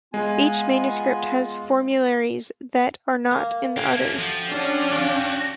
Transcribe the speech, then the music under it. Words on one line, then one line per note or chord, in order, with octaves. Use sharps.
Each manuscript has formularies that are not in the others.
G#3 B3 F4 G#5
A#3
A3 A#3 C#4 D4
F3 F#4 G4
C#4 D4 F#4 G4
F3 F#4 G4 F#5 G5